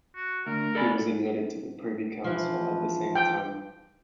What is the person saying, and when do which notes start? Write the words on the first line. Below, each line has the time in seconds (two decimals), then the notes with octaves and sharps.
He was admitted to the Privy Council at the same time.
0.16 F#4
0.47 D2 A#4
0.75 A4 D5 B5
2.24 E3 F3
3.15 G5